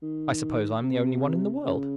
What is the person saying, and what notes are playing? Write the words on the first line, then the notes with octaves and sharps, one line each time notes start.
I suppose I am the only one in the world.
D#3
C3
C#3